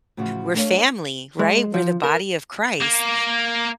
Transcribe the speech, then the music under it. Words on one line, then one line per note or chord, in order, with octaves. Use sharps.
we're family, right, we're the body of Christ
A2 C#3 E3 F3 F#4
A3 D4 G4 C5 C#5 F5
G#3
F3
A#4
A#3